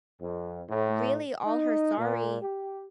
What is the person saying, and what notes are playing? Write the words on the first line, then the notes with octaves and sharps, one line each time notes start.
really all her sorry
F2
A2
D#4
A#2
G4